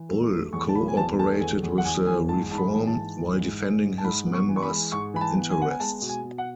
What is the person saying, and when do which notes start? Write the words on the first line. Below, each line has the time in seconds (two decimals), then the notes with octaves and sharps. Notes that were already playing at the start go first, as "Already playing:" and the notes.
Bull co-operated with the reform, while defending his members' interests.
Already playing: E3
0.09 A3
0.32 A3
0.53 E2 C#6
0.69 A5
0.75 B2 B5
0.88 G#5
0.97 E2 A5
1.19 A3 A5
1.41 E2 G#5
1.63 E2
1.78 F#5
1.85 E2 G#5
2.06 E2 G#5
2.29 G#2 A5
2.51 G#2 A5
2.58 B5
2.73 E3
2.87 A5
2.94 G#2
3.17 E3
3.39 G#2
3.60 G#3
3.82 G#2
3.98 A5
4.04 G#2 B5
4.26 B3
4.33 C#6
4.48 E3
4.56 C#6
4.62 B5
4.70 G#3
4.92 G#2 C#6
5.14 E3 B5
5.21 A5
5.36 B3
5.50 G#5
5.58 B3 F#5
5.70 G#5
5.80 G#3 A5
6.01 B2
6.09 G#5
6.23 B2
6.38 F#5